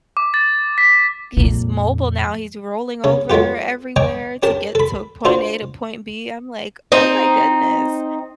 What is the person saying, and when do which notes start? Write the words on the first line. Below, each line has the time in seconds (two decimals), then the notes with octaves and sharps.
he's mobile now. He's rolling over everywhere to get to point A to point B. I'm like, oh my goodness.
0.17 D6
0.34 A6
0.78 B6
1.37 F2 A#2
3.04 C#3 C#4
3.30 F#3 G#3 A3 F4 G4
3.96 C#5 D#5 G5 G#5 A#5 D6
4.43 C#4 G4 A#4 A5
4.75 A4 B5
5.25 D4 F4 F#4 C5 A#5
6.92 C4 D#4